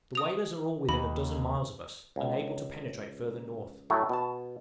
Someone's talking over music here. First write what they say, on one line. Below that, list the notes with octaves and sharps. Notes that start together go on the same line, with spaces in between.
The whalers are all within a dozen miles of us, unable to penetrate further north.
D#6 F7
D#2 B5
C#2
A2 F#3 A3 E4
B2 A5